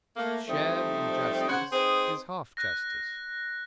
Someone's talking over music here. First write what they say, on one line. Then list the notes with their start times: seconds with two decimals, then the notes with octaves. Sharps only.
Shared injustice is half justice.
0.16 A3 A#3
0.47 F3 G3 A3 C4 D#4
1.48 C#3 C5 C#5 F#5
1.71 C4 D#4 G#4 B4 C5
2.57 F#6 A#6